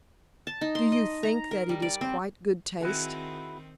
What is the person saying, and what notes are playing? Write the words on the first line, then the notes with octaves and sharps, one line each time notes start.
"Do you think that it is quite good taste?"
A5
D#4
C6
D#5
A#5
A#4
G3
D5
C4
D#3 C4 E4 F#4 G#4